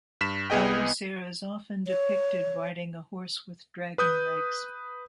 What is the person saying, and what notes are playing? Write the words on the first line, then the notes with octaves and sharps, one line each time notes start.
Allocer is often depicted riding a horse with dragon legs.
G2 B6 E7
C2 B3 G#4 D#5 G5
C#5
B4 D#6 G6